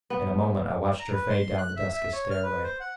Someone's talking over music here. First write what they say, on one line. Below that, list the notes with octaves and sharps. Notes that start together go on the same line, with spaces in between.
In a moment I watched her fade down the dusky stairway.
B3
A#5
B4
C6
F#6
E5
E5
C#5
F6
B4
C5
F#5